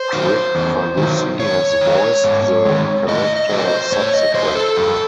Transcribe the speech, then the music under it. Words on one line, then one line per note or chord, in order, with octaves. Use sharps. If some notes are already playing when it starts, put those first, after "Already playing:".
Kricfalusi has voiced the character subsequently.
Already playing: C5
D#3 F#3
E2
D#3 F#3
G#2 C#5
D#3 G#3
G#2
D#3 G#3
A2 D#5
D#5
F#3 A3
C5
A2 C#5
D#5
F#3 A3 C5
A4
F#2